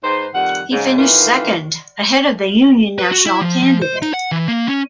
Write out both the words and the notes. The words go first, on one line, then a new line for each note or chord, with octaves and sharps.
He finished second, ahead of the Union Nationale candidate.
G#2 D#4 B4 C5
F2 D#3 G3 F#5
G#2 C#3
D#3 E3 A3 A#3 F4 B4
B4
F#4
E4
F3
F3
C5
D#4
F#5
E3
A#3
C#4